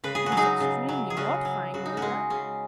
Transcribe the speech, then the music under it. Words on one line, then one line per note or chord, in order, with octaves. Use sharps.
It is extremely mortifying, Marilla.
C#3 B4
G#4
F#4
F#3
D#4 G#4
C#3
F#3
G#4
C#3 C#4 F#4
F#3
C#3 F#4
D#4
C#4 F#4
G#3
C#3 C#4